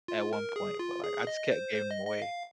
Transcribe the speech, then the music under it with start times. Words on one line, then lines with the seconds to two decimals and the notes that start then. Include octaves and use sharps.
at one point, but, like, I just kept gave them away,
0.08 F4
0.33 A#4
0.56 G#4
0.79 F4
1.04 G#4
1.27 D#5
1.51 C5
1.75 C5
1.91 D#5
2.06 D#5
2.22 F5